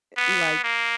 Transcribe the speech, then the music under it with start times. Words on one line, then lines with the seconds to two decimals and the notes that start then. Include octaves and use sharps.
i like
0.17 B3
0.64 A#3